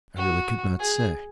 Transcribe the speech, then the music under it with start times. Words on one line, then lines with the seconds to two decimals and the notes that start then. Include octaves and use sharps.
'I really could not say.
0.17 F#4
0.80 G#4